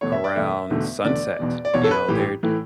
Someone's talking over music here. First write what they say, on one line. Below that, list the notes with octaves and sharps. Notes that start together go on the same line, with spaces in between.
around sunset, you know, they're,
E2 B2 A3 C#5
E5
D5
E2 B2 A3 E5
E1 E2 D3 A3
E1 E2 D3 A3 D5
E1 E2 B2
D5
E1 E2 B2 C#5
A4
B4
A1 A2 E3 A3 G4
A2 E3 A3